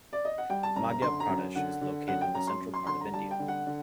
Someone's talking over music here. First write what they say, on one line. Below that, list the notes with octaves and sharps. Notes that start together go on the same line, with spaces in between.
Madhya Pradesh is located in the central part of India.
D5
D#5
F#5
G3 G5
A5
F#1 A#5
A#5
D3 C6
A#5
F#2
D3 F#5
D3
F#2 F#5
G5
F#2 A#5
C6
F#2
C6
D3 C6
A#5
G3 A5
G5
D3
F#5
D3